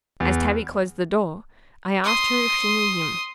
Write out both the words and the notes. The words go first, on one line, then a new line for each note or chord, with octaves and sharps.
As Tabby closed the door, I asked her if she knew him.
E2
C6 D#6